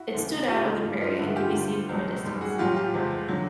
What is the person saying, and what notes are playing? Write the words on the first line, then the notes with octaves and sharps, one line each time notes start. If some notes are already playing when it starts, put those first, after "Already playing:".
It stood out on the prairie and could be seen from a distance.
Already playing: E4 F#4
D#2 C#3 E3
C#2 C#3 E3 F4 G4
D#4 F4
G2 E3 G3
D#4 F4
G2 D3 G3 E4 F#4
F4 G4
D2 D3 G3
C#2 B2 F#3
F#2 D#3 G3
F#4 G#4
A2 F#3 F4 G4
F4 G4
E2 C3 F3 G#3
D3 F#3